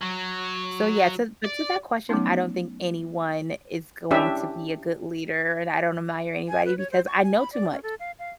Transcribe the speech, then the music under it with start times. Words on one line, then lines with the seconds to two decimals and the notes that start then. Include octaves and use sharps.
So yeah. So but to that question, I don't think anyone is going to be a good leader, and I don't admire anybody because I know too much.
0.01 F#3
1.45 D5
2.09 F#3 A3 B3 C#4 D#4
4.11 C#4 D4 E4 G4 E5
6.49 G#5
6.65 B4
6.78 C#5
6.91 C5
7.07 C#6
7.23 G#5
7.36 B5
7.53 D5
7.71 C#4
7.83 A4
8.00 F5
8.19 F5